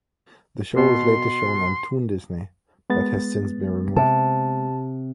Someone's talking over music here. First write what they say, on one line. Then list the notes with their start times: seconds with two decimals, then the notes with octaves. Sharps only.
The show was later shown on Toon Disney, but has since been removed.
0.77 B2 C6
2.90 G#3 B3 A6
3.97 C3 A5